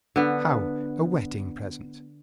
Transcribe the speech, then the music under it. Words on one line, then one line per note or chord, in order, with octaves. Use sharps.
"How a wedding present?"
D3 B3